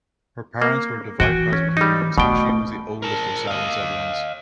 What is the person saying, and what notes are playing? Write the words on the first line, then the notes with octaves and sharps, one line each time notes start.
Her parents were devout Presbyterians and she was the oldest of seven siblings.
A#3
E3 F#4 G5 G#5
C#4
G3 D#4
B2 A3 D4 G5
A#4 A5
D#5 F5